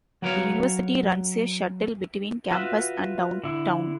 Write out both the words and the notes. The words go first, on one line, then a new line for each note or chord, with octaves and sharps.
The university runs a shuttle between campus and downtown.
F#3 F#4 A#4 B4 C#5 F5
F4 F#4 B4 E5
D3 E4